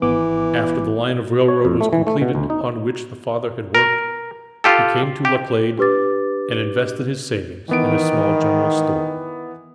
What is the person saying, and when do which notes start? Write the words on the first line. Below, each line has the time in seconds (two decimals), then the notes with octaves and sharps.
After the line of railroad was completed upon which the father had worked, he came to Laclede and invested his savings in a small general store.
0.02 G#1 E3 B3 D6
1.48 C#5
1.65 F2
1.81 A3
1.93 E3
2.07 A3
2.21 B2
2.35 D2
2.50 D#4
3.75 A#4
4.64 F4 G4 A4
5.25 G4
5.78 D4 G4 B4 D6 A6
7.69 D#3 E3 B3 D7